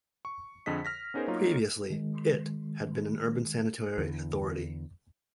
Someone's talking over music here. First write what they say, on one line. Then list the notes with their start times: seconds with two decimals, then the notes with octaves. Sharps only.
Previously, it had been an urban sanitary authority.
0.25 C#6
0.66 F2 D3 G#4 D#5 B6
0.85 F6 A#6 B6
1.14 B3 C#4 D#4 G#4 A#4 C5
1.28 F#3 A#3 D#4 F4 C#5
1.90 D#3 G#3
3.98 E2 D3 E3